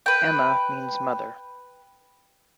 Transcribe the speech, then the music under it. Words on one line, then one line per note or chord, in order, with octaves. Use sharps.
"Amma" means mother.
B4 G5